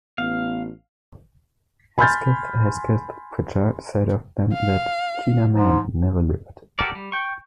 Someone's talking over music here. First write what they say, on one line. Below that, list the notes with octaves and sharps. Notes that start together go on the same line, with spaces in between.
Hesketh Hesketh-Prichard said of them that "keener men never lived".
A1 B3 F5
G#5 B5 C6 F6 G6 A6
F5
G#2 F3
F#4 G4 A4 A#4 D5
G3
G5 C#6